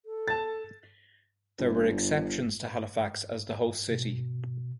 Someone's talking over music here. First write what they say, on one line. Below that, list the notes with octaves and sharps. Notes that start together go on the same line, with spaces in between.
There were exceptions to Halifax as the host city.
A4
A5 A6
G1
B2